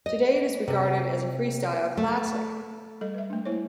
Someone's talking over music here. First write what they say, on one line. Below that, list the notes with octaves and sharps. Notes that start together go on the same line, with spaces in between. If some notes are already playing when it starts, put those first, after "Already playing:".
Today, it is regarded as a freestyle classic.
D#5
C3
A3
G3 A4 D#5
B4 E5
A3 D4
A#3 E4 C5 C#5